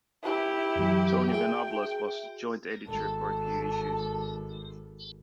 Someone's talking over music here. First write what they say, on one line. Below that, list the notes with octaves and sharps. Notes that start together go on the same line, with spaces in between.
Tony Venables was joint editor for a few issues.
E4 G4
F#2 E3 F#3
F#4 G#4 E5 G5
G#1 A4 A5